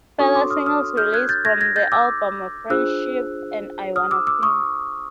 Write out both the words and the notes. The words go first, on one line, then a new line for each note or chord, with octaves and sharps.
Further singles released from the album were "Friendship" and "I Wanna Sing".
D4 F#4 A4 C#5 C#6 D#6
C6 D6
D#6 F6
D#6 F6
F6 G6
F#6 G#6
G6 A6
G#6 A#6
G#6 A#6
G6 A6
D6 E6
D4 F4 G#4 C5 E6 F#6
D#6 F6
D6 E6
D6 E6
C#6 D#6